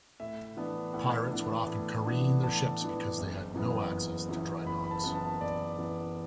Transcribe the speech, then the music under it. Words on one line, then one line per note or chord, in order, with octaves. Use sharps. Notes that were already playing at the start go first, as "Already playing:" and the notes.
Pirates would often careen their ships because they had no access to drydocks.
A2 E5
E3 B3 D4
A2 F#5
E3 B3 D4
A2
E3 B3 D4
A2 A5
E3 B3 D4
F#1
F#2 E3 B3
F#1
F#2 E3 B3
F#1 B5
B5
A5
F#2 E3 B3
A5
F#1 D5
F#2 E3 B3